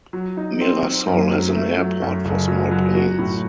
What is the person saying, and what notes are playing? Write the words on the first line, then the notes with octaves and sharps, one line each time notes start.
Mirassol has an airport for small planes.
F#3
D#4
C4
C4
F#2
F#3
A3
F#3
F#2
F#1
F#3
F#3
F#4
A2